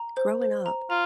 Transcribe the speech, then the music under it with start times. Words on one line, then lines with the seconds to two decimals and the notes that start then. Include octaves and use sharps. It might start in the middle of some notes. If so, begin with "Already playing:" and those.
growing up,
Already playing: A#5
0.17 C5
0.42 C5
0.66 A#5
0.90 F4 A#5